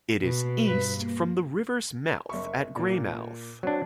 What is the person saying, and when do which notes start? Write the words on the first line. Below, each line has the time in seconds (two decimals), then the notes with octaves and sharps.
It is east from the river's mouth at Greymouth.
0.22 B2
0.65 G2 B4
0.98 A#3
2.29 F#1 E5 C#6
2.76 A#2 A#3
3.63 F#3 C4 D4